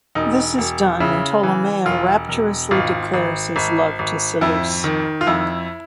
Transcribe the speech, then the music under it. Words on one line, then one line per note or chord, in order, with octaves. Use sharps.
This is done and Tolomeo rapturously declares his love to Seleuce.
E1 D#4
E1
C#3 E4
E3
E1 F4
E1
G#1 F4
G#1
G#1
G#1
F2 E4
D#3
F4
F2 E4